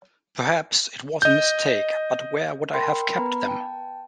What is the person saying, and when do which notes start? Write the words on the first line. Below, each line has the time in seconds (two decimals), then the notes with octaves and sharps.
Perhaps it was a mistake, but where would I have kept them?
1.22 D#5 G6
2.74 A#4 G5 B5 C6
3.17 B3 B4 A#5 B5
3.47 G5 A5